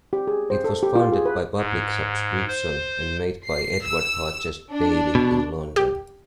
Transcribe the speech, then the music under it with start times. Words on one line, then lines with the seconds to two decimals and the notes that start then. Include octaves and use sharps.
It was funded by public subscription and made by Edward Hodges Baily in London.
0.13 G4
0.27 G#4
0.50 C5
0.64 A4
0.83 G4
0.95 F4
1.12 G#4
1.25 B4
1.58 G#2
2.48 C5
3.45 C7
3.84 E6
4.72 D4
5.15 B2
5.76 G4